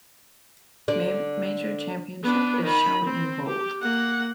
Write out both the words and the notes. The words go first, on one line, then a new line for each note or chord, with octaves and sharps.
Major championship is shown in bold.
D3 D5
B3 D4
D#3 B5
C4
G4
A#3 F#5